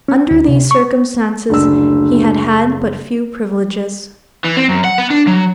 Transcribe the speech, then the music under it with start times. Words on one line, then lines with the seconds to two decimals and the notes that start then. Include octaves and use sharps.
Under these circumstances he had had but few privileges.
0.08 C#4
0.31 D2
0.48 C3
0.71 C#6
1.49 F#1 D2 D4 E6
4.44 E3
4.57 C4
4.69 F#2
4.84 F#5
4.98 B3
5.10 D4
5.27 F#3